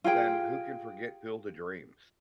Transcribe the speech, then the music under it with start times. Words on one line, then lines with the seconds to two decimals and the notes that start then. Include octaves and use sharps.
then who can forget Field of Dreams?
0.04 F4 G4 G#4 G5